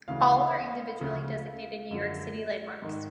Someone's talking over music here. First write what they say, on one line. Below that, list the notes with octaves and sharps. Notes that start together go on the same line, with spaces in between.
All are individually designated New York City landmarks.
D2 C#3 E3 F5
D2 C#3 F3
F#2 D3 F3
G#2 D#3